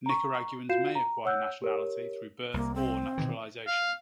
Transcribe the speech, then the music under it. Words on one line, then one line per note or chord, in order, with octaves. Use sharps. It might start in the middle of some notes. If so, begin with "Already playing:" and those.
Nicaraguans may acquire nationality through birth or naturalization.
A#5 C#6
F4 F#4 F5 G6 C7 E7
A#5
C#5 F#5 E6 F#6 G6
G4 A#4 C#5
C2 A#3
C4
B2 D#3 E3
F5